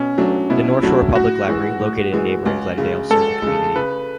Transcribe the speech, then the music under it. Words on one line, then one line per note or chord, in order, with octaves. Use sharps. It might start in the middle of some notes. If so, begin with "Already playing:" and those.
The North Shore Public Library, located in neighboring Glendale, serves the community.
Already playing: B2 C#4
F#3 A3 D4 F#4
B2 E4
F#3 A3 D4 F#4
A2 F#4
E3 G#3
A2
E3 G#3
C#2
C#3 G#3
C#2 A4
C#3 G#3
C#3 B4